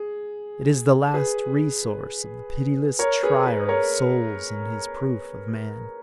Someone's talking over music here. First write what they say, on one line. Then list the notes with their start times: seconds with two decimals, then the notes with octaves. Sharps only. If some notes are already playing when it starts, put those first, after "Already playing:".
It is the last resource of the pitiless trier of souls in his proof of man.
Already playing: G#4
1.14 G#4 B4
2.99 A#4 C#5
3.23 G#4 B4
3.46 G#4 B4
3.69 A#4 C#5